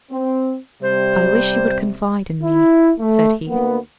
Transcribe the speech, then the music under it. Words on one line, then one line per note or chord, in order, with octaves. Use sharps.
"I wish you would confide in me," said he.
C4
C3 G3 C5
E4
A3
D2 A#3 B3